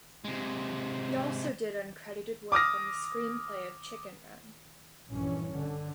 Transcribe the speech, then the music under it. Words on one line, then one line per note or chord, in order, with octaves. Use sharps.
He also did uncredited work on the screenplay of "Chicken Run".
C3 G#3
D6 D#6 F6 A#6
A#1 G2 E3 C#4
D3